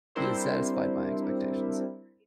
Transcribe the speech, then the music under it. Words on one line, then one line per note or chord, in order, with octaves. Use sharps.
He has satisfied my expectations.
G3 C4 D4 E4 A#4 C5